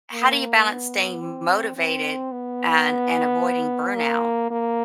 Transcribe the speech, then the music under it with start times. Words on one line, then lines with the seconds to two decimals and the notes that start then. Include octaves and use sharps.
how do you balance staying motivated and and avoiding burnout
0.12 A#3
0.67 B3
1.22 C4
1.76 C4
2.32 B3
3.96 A#3
4.51 A#3